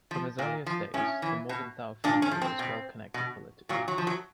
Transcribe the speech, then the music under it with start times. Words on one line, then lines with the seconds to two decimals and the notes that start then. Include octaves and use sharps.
From his earliest days, the Morgenthau family was well-connected politically.
0.11 F3
0.39 A#2
0.66 F3
0.94 A2 C#4
1.22 E3
1.49 B2
2.04 A#2 D4
2.22 C#4
2.31 F3
2.42 C4
2.59 B2
3.14 B2
3.69 A#2 F#3
3.88 F#3
3.98 F3
4.07 F#3